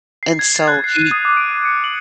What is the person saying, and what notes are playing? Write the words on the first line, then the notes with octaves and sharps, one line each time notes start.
and so, he,
C7
G#6
A6
F#6
C7
D#7
D#6
D6
D7
D#7
C#7
F#7